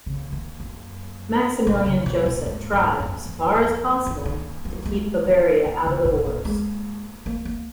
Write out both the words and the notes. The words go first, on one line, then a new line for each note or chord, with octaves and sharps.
Maximilian Joseph tried, as far as possible, to keep Bavaria out of the wars.
C#3
D#3
F#2
A#2
C#3
B2
B2
G#2
G#2
F#2
F2
F2
F#2
D#3
F#3
G#3
F3
D#3
C#3
A#2
A#2
G#3
A#3
A#3